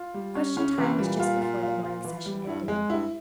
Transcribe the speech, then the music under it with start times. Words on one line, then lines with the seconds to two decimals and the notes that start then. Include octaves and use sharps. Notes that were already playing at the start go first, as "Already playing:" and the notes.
"Question time" was just before the morning session ended.
Already playing: F4
0.14 G3
0.35 C#4
0.56 C#3 C#4
0.78 C3 E3
0.99 A#2 G3
1.20 F4
1.41 F4
1.63 F4
1.84 F4
2.05 E3
2.26 G3
2.47 G2 E4
2.68 F2 G#3
2.89 G2 E4